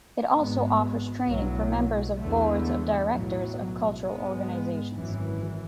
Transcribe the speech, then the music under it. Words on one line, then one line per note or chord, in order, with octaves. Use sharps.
It also offers training for members of Boards of Directors of cultural organisations.
G#1 G#2 G#3 B3
B1 A2 F#3
E2 D3 A3
B1 A2 F#3
G#2 G#3 B3
G#1 F#2 E3